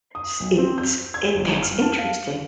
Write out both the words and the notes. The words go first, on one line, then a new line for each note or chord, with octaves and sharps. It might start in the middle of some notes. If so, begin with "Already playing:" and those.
S it's it that's interesting.
D#6
B1
C4
G6
G#6
G1
F6
A5
F5